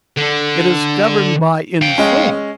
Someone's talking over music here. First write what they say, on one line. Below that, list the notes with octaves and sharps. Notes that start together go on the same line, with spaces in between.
It is governed by influence.
D3
F5 G5
G#3 C#4